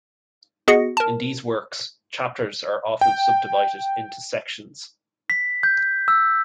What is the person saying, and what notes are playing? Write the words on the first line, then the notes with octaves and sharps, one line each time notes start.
In these works, chapters are often subdivided into sections.
B3 F#4 G#4 D#5 A#6 C#7
A#4 A5
G5
B6
G6
E6